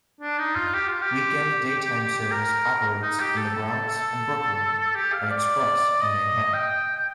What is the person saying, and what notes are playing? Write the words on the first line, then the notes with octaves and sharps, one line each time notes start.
Weekend daytime service operates in the Bronx and Brooklyn and express in Manhattan.
D4
D#4
F4
G4
F4
G4
A#4
D#4
G4
A4
A4
A4
A4
G4
F5
D5
D#5
G5
G5